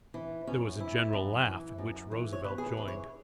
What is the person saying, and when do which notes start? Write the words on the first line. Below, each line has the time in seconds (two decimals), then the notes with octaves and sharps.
There was a general laugh in which Roosevelt joined.
0.14 E3
0.47 F#2 C#4
0.80 E3 E4
1.13 F#2
1.46 E3
1.78 F#2
2.11 E3
2.33 C#5
2.44 E2 B4
2.58 G#4
2.66 B4
2.77 E3
2.88 C#5